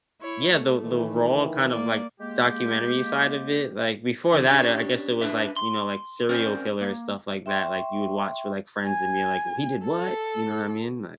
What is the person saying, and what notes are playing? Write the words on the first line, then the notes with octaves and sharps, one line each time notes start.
Yeah, the the raw kind of, like, documentary side of it, like, before that, I I guess it was, like, you know, like, serial killer stuff like that, like, you would watch with, like, friends and being like, w “He did what?” you know what I mean?
E4 C#5
A3
D#3 E3
A#3 D5
G#3 A#3 G4
D3 F3
C#4 D4 G4 C#5
D4 B4 E5
C6
C4 C#4 A#4 C5 D5
A#3
E5 G5 C6 C#6
G#5
A4